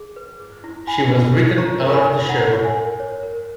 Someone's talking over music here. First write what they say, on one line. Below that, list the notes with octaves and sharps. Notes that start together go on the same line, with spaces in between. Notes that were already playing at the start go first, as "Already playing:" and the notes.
She was written out of the show.
Already playing: G#4
B4
G#4
E4
E4 G#5 B5
B4
G#4
C#5 A#5 C#6
A#4
G#5 B5
D#4
D#4 F#5 A#5
C#5
E5 G#5
A#4
C#5
A#4